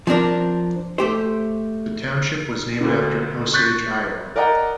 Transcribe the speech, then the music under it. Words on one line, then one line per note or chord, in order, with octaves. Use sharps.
The township was named after Osage, Iowa.
F3 C4 D4 A#4
A3 G4 C5
D2 B2 D3
C#6 F#6 G6 A6 B6
A#4 D5 D#5 F#5 G5 A#5